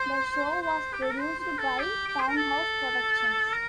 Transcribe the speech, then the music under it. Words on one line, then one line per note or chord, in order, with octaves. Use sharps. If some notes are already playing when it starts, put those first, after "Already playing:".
The show was produced by Town House Productions.
Already playing: C5
C5
G4
A4
A#4
C5
C5
A4
G4
G4
C5
A#4
A4
A#4